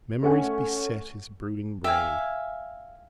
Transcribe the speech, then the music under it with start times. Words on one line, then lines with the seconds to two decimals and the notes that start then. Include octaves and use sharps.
Memories beset his brooding brain.
0.23 A3 C#4 F#5 G#5
1.84 E5 F5 G5 G#5